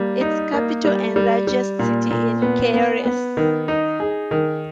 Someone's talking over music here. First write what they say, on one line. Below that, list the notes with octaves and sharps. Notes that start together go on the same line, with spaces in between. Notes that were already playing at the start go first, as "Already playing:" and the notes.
Its capital and largest city is Kielce.
Already playing: G3 A#3
D#4
A#3
G3
G3
G3
A#2
A#2
B3
B3
B3
D#3
D#4
G#4
D#3